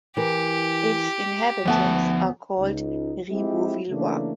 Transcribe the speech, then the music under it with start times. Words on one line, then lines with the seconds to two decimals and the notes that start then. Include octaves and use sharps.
Its inhabitants are called "Ribeauvillois".
0.17 E3 G4 A#4
1.65 D2 F3 B3 E5 A5
2.59 C#2 D#4
3.29 G#3 C4 E4 F4 G4
3.90 C#3 E3 A3 A#3 D4